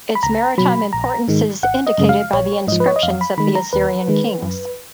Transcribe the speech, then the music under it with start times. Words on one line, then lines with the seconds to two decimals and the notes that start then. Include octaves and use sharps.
Its maritime importance is indicated by the inscriptions of the Assyrian kings.
0.15 B5
0.23 C#2 A#5
0.58 B2 F#3 B5
0.93 A#1 A#5
1.28 G#2 D#3 G#3
1.63 G#1 F#5
1.87 D#5
1.98 F#2 C#3 G#3
2.09 F5
2.33 A#1 C#5
2.67 G#2 F3 D#5
2.80 B4
2.87 C#5
2.96 D#5
3.03 F2 F5
3.21 B5
3.37 D#3 G#3 B5
3.55 A#5
3.73 D#2 B4
4.08 D#3 G#3
4.43 F#2